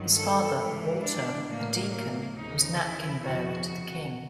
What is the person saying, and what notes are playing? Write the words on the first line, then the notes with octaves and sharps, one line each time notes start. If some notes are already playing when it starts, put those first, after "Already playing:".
His father, Walter, a deacon, was Napkin Bearer to the King.
Already playing: G2 D#3 F#3
A4
G#2 E3
D4
A2 F#3 A#3
A#3
D#2 C#3 F3 D#4
E4
F2 C#3 F3 F#4
F#4